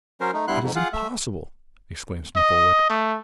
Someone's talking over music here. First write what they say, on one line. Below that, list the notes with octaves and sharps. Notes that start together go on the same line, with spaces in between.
"It is impossible!" exclaimed Smith-Oldwick.
F#3 C#4 A#4 C5
A3 D#4
G2 G3 B3 E4 C6 F#6
F2 G#2
F4 G#4 F5 F#5
A3 E5
D#5
A3